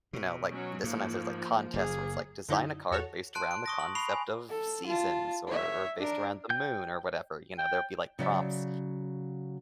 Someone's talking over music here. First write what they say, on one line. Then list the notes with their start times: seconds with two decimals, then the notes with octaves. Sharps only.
you know like, this one has those, like, contests where it's, like, "Design a card based around the concept of seasons," or or "based around the moon," or whatever, you know, there'll be like prompts,
0.13 B2
0.50 F#3 C#4
0.84 G#2 F3 A#3
1.74 F#1 A#3 G#4
2.48 F#2 D3 D#4 E4
2.91 E2 F#4 A4 C#5
3.35 A5 C6 F#6 D7
3.51 D7
3.66 C#6 D#6 A#6
3.80 F#7
3.95 B5 C#6 C7 F7
4.09 G#5
4.49 A4
4.87 F4 A5
5.47 C#5 E5
5.98 D4 A#4
6.50 G5 G6
7.58 G5
8.19 C#3 F#3 D5 E5